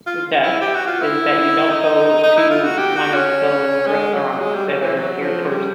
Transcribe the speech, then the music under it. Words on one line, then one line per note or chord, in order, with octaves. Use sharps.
suggest is that you don't go to one of those restaurants that are geared towards
F4
E4
G4
F#4
F4
E4
D#4
D#4
E4
F4
F#4
G4
F#4
C#4
G#3
F#3
G#3
G3
F#3
E3
F#3
F3
G3